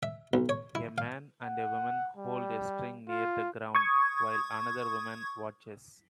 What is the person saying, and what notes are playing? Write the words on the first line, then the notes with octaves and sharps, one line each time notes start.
A man and woman hold a string near the ground while another woman watches.
E5
B1
C#5
E4
F5
F#5
G3
F4
C#6 D#6 G#6